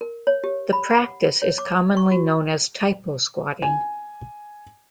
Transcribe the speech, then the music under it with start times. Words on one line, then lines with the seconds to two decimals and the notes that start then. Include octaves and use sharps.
The practice is commonly known as "typosquatting".
0.01 A#4
0.27 C#5
0.44 G4
0.73 B5
0.90 F#5
1.42 C#5
1.58 D6
1.97 C#6
2.11 F#4
3.62 G#5